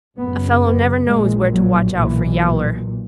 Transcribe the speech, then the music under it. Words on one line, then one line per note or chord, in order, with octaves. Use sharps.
A fellow never knows where to watch out for Yowler.
F#1 F#2 C#3 B3
B3
A#1 A#2 G#3
F#3
B1 A#2 E3